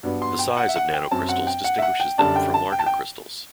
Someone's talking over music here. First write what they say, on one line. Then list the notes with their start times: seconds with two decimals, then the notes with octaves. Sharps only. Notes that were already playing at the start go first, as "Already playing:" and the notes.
The size of nanocrystals distinguishes them from larger crystals.
0.03 G2 F#3 B3 D4
0.22 C6
0.39 G5
0.57 F#5
0.69 E5
0.76 F#5
0.93 G5
1.11 F#2 F#3 C4 A5
1.29 F#5
1.47 G5
1.64 F#5
1.78 E5
1.82 F#5
2.00 G5
2.18 F#2 D3 G3 D4 A5
2.36 G5
2.54 A5
2.72 G5
2.79 A5
2.86 G5